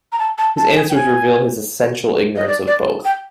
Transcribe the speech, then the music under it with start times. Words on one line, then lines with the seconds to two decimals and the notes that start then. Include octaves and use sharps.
His answers reveal his essential ignorance of both.
0.12 A#5
0.19 A5
0.38 A5
0.57 A5
0.76 G#5
0.90 G5
0.95 G#5
2.36 D#5
2.48 D5
2.67 D5
3.05 G5